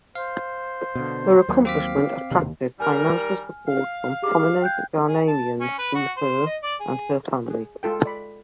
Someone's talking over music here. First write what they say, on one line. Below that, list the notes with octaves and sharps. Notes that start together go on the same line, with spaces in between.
Her accomplishment attracted financial support from prominent Ghanaians to her and her family.
C5 F5
B2 D3
D#2 F#3 A#3
C4 F5 D6 B6
E1 D#2 C3
D#3 G3 A#4 G#5 F6
F5
G4 G#4 D6
G5 F#6 G6
G#4
A5
C#4
B4
F#4
C5
D#5
D5
G#4
G#4
G#3 F4 A4 G5
D5 B5